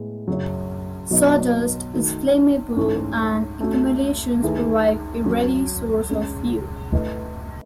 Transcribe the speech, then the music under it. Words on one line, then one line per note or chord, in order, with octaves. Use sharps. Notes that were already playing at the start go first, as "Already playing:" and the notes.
Sawdust is flammable and accumulations provide a ready source of fuel.
Already playing: A2 G#3 B3
F#2 C#3 F#3
B2 F#3 B3 D#4
D#3 A3 D#4 F#4
G#2 E3 A3 C#4 E4
A3 C#4 F#4
D#3 A3 E4 G#4 B4
F#3 C#4 F#4
G#3 C#4 G#4
A3 E4 B4 D#5